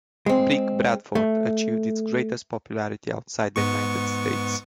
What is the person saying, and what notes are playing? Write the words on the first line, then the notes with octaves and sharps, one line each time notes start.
"Brick Bradford" achieved its greatest popularity outside the United States.
G#3 C4
A3
G#2 B3 C#6